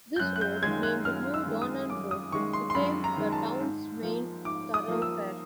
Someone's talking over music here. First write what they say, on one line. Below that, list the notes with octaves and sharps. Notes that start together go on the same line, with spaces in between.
This road, named New Donnan Road, became the town's main thoroughfare.
G6
F#2 F#6
F#6
G6
D#3 G#3 G#6
F#6
F#2 F6
E6
D#3 G#3
D#6
F#2 D6
D#6
D#3 G#3 C#6
C6
C6
F#2 B5
A#5
D#3 G#3
A5
G#2
F3 A#3
G#2 D6
D#6
F3 A#3
E6